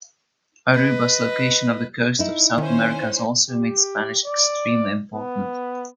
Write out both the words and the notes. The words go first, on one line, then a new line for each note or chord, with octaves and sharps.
Aruba's location off the coast of South America has also made Spanish extremely important.
B4 D#5
D#4 E4
D#3 C#4 C5
G4
D5
B3